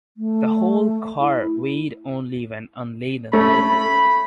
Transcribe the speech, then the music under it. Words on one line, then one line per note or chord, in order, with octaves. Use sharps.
The whole car weighed only when unladen.
A3
E4
A3 C#4 B5